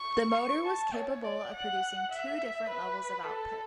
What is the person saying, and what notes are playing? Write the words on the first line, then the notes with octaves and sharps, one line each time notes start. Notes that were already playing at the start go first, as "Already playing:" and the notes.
The motor was capable of producing two different levels of output.
Already playing: C#6
A5
C#5
D5
F#5
E5
B4
A4